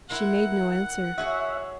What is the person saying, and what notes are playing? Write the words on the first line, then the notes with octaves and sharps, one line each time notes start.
She made no answer.
E4 A#4 F#5 C6
F#4 G#4 C#5 E5